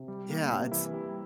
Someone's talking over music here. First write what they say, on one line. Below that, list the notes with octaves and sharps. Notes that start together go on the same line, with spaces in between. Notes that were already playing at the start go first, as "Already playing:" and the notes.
Yeah, it's
Already playing: C3
G3
A#3
C3
E3 E4
G3